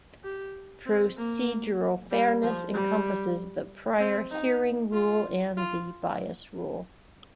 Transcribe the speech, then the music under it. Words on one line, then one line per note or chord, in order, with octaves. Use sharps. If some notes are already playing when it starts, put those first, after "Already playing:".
Procedural fairness encompasses the prior hearing rule and the bias rule.
G4
C4
A#3
G3
F3
G3
C4
D#4
F4
F4